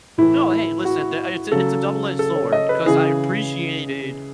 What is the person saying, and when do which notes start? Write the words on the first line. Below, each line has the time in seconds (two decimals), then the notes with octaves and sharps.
No, hey, listen, tha it's a it's a double edged sword, 'cause I appreciated
0.18 A2 E3 E4
0.51 E4
0.85 F#4
1.52 C#3 F#3 A4
2.19 A4
2.35 C#5
2.53 D#5
2.69 B4
2.86 C#3 E3 G#4